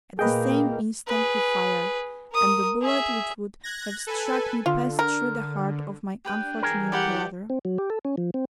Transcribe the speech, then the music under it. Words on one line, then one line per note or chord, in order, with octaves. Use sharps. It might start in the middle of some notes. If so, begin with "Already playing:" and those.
At the same instant he fired, and the bullet which would have struck me passed through the heart of my unfortunate brother.
A#2 A#3 G#4 B4 D#5 G5
G#4 B4
A#4 D#6
G#4 E5
F#6 G#6 A#6
A4 B4 G#5
D3 F4
A#4
D4 G4 B4 G5
E3 G3 G#4 A#4
G4 D5 F#5 B5
C4
F#3
G4
A4
C#4
F3
C4